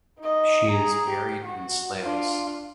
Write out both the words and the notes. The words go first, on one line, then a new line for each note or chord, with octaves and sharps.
She is buried in Slagelse.
D#4 D#5
G#4 A#5
G4
F#4
D4 F4